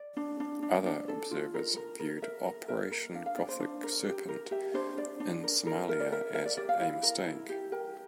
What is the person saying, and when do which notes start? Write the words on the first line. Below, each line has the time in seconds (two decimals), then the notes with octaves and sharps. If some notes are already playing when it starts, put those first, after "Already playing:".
Other observers viewed Operation Gothic Serpent in Somalia as a mistake.
Already playing: D5
0.17 D4
0.40 D4
0.63 D4
0.86 D4
1.08 A4
1.31 F4
1.54 A#4
1.76 A#4
1.99 A#4
2.22 A#4 E5
2.46 A#4
2.68 A#4 E5
2.91 A#4
3.14 D4 F5
3.26 F5
3.37 D4 D5
3.48 C5
3.60 D4
3.83 A#4
4.05 G4
4.29 A#4
4.51 G4 E5
4.74 D4 C5
4.97 D4 D5
5.20 D4
5.43 A#4
5.67 A#4
5.89 A#4 E5
6.00 D5
6.12 A#4 E5
6.34 A#4 E5
6.46 D5
6.57 G4 D5
6.69 F5
6.80 E4
7.03 A#4
7.26 E4
7.49 G4
7.72 A#4 G5